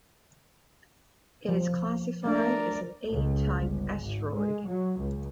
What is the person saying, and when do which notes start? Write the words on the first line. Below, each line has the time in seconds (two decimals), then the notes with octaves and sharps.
It is classified as an A-type asteroid.
1.49 F3
2.26 A3 D4 A#4 D5
3.12 C#2
3.55 G1
4.02 G#1
4.35 G#3
4.68 F#3
5.00 C#2